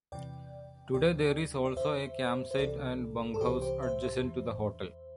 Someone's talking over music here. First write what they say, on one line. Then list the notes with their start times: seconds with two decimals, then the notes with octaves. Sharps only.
Today there is also a campsite and bunkhouse adjacent to the hotel.
0.12 E2 C3 E3 D5 G5
0.94 D2 C3 E3 D5 G5
1.65 D5
1.76 E2 D3 C5 E5
2.51 C5
2.58 C2 C3 E3 A4 D5
3.34 A4
3.41 C2 C3 E3 G4 C5
3.62 G4 C5
3.82 C5 E5
4.02 C5 E5
4.23 E2 E3